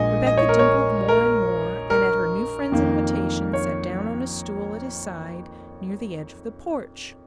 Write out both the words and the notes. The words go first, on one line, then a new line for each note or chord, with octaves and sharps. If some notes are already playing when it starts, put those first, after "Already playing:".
Rebecca dimpled more and more, and at her new friend's invitation sat down on a stool at his side near the edge of the porch.
Already playing: A#1 A#2 G#3 D#5 G#5
D#5
C#5
A#4
C#5
A#4
A#4
F2 D#3 A#3
C#5